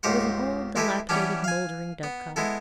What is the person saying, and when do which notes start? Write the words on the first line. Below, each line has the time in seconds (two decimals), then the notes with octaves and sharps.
It was an old, dilapidated, mouldering dovecot.
0.03 C#2 G#2 G4 C5 F#5
0.76 G#3 E4 G4 A4 B4
1.09 E3 G3 B3 C#4 D4
1.44 F5 G#5
2.03 B3
2.36 G#3 B3 E4 A4